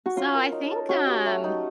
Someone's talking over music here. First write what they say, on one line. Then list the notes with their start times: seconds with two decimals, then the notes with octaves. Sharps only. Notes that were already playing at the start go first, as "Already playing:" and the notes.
So, I think, um
0.06 F#4
0.16 C#4 F4
0.35 A#4
0.52 D#4
0.71 A4
0.89 C#4 F#4
1.07 G4
1.26 A3
1.44 D#4